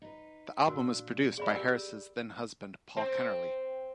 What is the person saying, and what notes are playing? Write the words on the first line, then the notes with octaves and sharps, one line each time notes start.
The album was produced by Harris' then-husband, Paul Kennerley.
D#4 B4
A#2 D4 F#4 A#4
A2 C4 G#4 D5 E5 B5
G4 A#4
C4